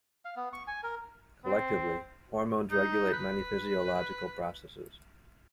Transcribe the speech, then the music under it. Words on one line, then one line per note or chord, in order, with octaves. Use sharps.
Collectively, hormones regulate many physiological processes.
F5
B3
C#6
G#5
A#4
C4
D#4
B4